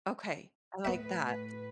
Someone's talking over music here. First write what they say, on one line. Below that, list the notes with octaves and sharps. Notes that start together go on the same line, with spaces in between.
Okay, I like that.
A2 B3 B4 E5